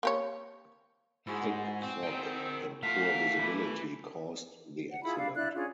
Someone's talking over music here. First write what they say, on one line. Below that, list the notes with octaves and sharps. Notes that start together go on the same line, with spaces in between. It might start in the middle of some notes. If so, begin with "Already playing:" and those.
Thick fog and poor visibility caused the accident.
A#3 G4 C#5
G#2 E4 F#4 G#4
C4
A#4 G5
A3 F4 A#4 F5 F#5 B6
E4 B4 D5
F#5
E4 F4 G#4 B5
D4 G4 F5
D4 E4 D5 F#6
C#4 D4 F4 G#4